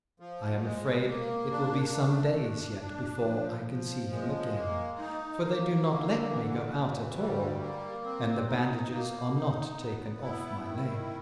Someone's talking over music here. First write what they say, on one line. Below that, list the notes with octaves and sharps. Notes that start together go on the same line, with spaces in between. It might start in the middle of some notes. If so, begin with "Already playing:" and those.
I am afraid it will be some days yet before I can see him again, for they do not let me go out at all, and the bandages are not taken off my leg.
F3
G#3
A#3
D4
A3
D4
D4
F3
F3
G#3
A#3
D#4
A#3
D3
E3
D2
G3
A#3
C4
D#4
A#3
D#4
B3
E4
D#3